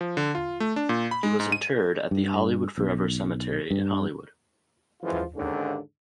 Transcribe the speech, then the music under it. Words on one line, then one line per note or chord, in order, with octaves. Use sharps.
He was interred at the Hollywood Forever Cemetery in Hollywood.
F3
D3
F4
A3
D4
A#2
B5
G#3
G#2
D#7
G2
B1
G2
F#2 E3 F3 G#3 F4
D#2 G#2 D3 A#3 C#4 D4